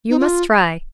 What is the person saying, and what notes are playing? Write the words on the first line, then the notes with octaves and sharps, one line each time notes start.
You must try.
D#4
F4